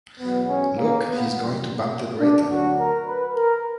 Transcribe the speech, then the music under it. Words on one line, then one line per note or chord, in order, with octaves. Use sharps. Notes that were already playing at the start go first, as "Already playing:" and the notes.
Look — he's going to bump that waiter.
E2 B2 F#3 B3
C#4
A#3
B3
F#2 E3 G3
D4
D2 D3 F#3 F#4
A#4
B4
A#4